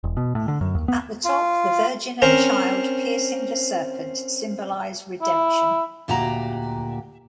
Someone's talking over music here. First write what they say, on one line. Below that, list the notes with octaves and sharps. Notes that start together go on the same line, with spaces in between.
At the top, the Virgin and Child piercing the serpent symbolize redemption.
E1
B2
A2
D3
F#2
D#2
B3
F4
C4 C#4 A#4 C5
E4
D2 A#2 F#4 G4 A#5